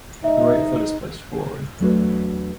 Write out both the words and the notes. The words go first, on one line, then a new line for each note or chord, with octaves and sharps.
The right foot is placed forward.
G#2 D#4 D#5 E5
E2 F#3 A3 D4 F#4 B4